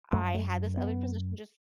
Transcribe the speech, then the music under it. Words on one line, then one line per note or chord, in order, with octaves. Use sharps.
I had this other position just
F#2 A3
A3
B3